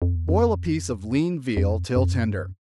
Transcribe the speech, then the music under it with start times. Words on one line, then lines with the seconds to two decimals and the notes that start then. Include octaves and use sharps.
Boil a piece of lean veal till tender.
0.02 F2
0.15 E2
0.29 F2
1.57 F2
1.96 F#2
2.04 F2
2.12 F#2
2.26 G2
2.34 F#2